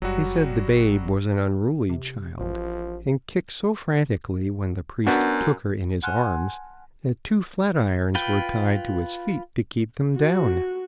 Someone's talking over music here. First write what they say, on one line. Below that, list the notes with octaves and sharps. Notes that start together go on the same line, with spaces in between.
He said the babe was an unruly child, and kicked so frantically when the priest took her in his arms that two flatirons were tied to its feet to keep them down.
F#1 F#3 G3 F#4
C3
A1 F3
F#2 B3 D4 F#4
F#5 G#5 A5 C6 F6 F#6
F4 B4 G5
F#4